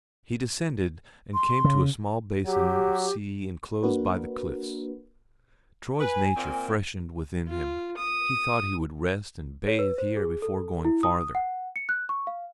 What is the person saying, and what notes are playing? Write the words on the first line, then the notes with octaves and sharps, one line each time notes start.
He descended and came to a small basin of sea enclosed by the cliffs. Troy's nature freshened within him; he thought he would rest and bathe here before going farther.
C6
C#3
F#3 G4
A#3 D4 F#4 A#4 B4
B4 G#5
A#2 A#3 C4
F4
D#6
C#5
B4
C5
G#4
A4
E4
D#6
F#5
C#7
F#6
C#6
F5